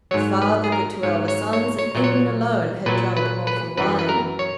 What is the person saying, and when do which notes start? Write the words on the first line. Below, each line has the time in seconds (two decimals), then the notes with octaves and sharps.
The father, the two elder sons, and Edwin alone had drunk of the wine.
0.11 G#2 F#3 C#5
0.42 B4
0.64 G#4
0.72 A#4
1.03 G#2 F#3 C#5
1.28 C#5
1.53 C#5
1.79 C#5
1.95 A#2 F#3
2.04 C#5
2.86 A#2 F#3 B4
3.17 B4
3.47 B4
3.77 F#2 E3 B4
3.99 B4
4.09 A#4
4.39 C#5